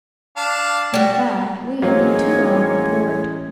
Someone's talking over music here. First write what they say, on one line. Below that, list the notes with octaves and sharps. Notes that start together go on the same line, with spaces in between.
In fact, we had been too long from port.
D4 F5 A5
G3 F#4
A1 F#3 G#3 A#3 C4 C#5